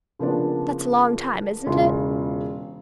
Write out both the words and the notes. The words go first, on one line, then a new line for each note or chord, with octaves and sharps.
That's a long time, isn't it?
C#3 F3 A#3 B3 D4
E1 C#3 F4 C6